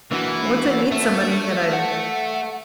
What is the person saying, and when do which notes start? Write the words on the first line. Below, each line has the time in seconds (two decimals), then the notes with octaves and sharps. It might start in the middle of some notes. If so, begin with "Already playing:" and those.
once I meet somebody, then I'm
0.11 E3 A#3 D4 F#4
0.92 A3
1.73 F#5